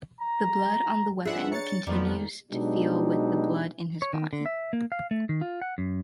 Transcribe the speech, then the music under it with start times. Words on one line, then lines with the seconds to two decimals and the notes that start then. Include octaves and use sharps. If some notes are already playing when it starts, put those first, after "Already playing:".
The blood on the weapon continues to feel with the blood in his body.
0.21 A#5
1.25 F3 D4 G#4 B4 E5 F#5
1.51 C#5 A#5 A6 C#7
1.87 F2 D#3 F3 A3 B3 D5
2.52 B2 F#3 G#3 D4 D#4 G4
4.02 C#5
4.13 D#3
4.33 D3
4.46 E5
4.73 A#3
4.92 F5
5.11 A3
5.29 D#3
5.41 F4
5.62 F#5
5.78 F#2